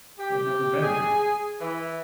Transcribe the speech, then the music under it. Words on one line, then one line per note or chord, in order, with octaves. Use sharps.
I had never been there.
G4
G#4
E3